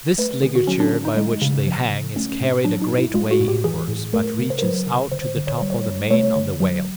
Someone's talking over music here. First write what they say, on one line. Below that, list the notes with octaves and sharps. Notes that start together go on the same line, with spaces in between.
This ligature by which they hang is carried a great way inwards, but reaches out to the top of the mane of the Whale.
A3 B4
D3 G#4
F#4
F#3 C#4
D4
D3
D#4
G#3
C#3
F3
C#3
A3 C#4
A2
F#3 D4
D#4
A2
E4
G#3 F4
F#4
A2
G4
E3 G#4
A2
A3 A#4
C#3
C5
A#4
F#3 B4
C#3
D3 C5
D3
C#5
G3 C5
C#5
G3
A3 C#5
D3
F#3